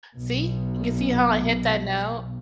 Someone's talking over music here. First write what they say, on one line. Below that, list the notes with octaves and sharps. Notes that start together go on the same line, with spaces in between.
See, you see how I hit that note?
B1 B2